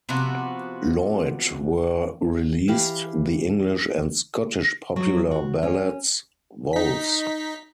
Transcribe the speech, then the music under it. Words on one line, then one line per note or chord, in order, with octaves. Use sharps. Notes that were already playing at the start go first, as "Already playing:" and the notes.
Lloyd were released: The English and Scottish Popular Ballads, Vols.
C3 F3 B3 F#4
E3 G4 F5 B5
F#3
F#4
C#4
D#4 B6